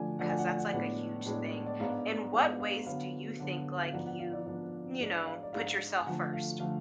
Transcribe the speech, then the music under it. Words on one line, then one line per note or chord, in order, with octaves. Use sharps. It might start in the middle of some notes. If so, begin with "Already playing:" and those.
'cause that's, like, a huge thing. In what ways do you think, like, you, you know, put yourself first?
Already playing: D3 F3 A3 D4 G#5
D3 F3 A3 D4 F#5
G#5
F#5
G#5
F#5
A2 G#3 B3 D4 F#5
A2 G#3 B3 D4
D5
G#2 G#3 B3 D4 F5
G#2 G#3 B3 D4 F5
F5
D3 F#3 B3 F5
D3 F#3 B3
F5
G#2 F3 B3 D4 F#5
F#5
F5
D5
G#2 F3 B3 D4 D5
G#2 G#3 D4
F5
D5
G#2 G#3 D4 F5
G#5
D3 F3 A3 F#5
F5
D3 F3 A3 F5